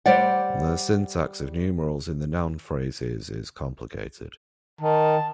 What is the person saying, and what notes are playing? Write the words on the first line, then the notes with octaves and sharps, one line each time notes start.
The syntax of numerals in the noun phrases is complicated.
G3 C5 D5 F#5
D#3 A5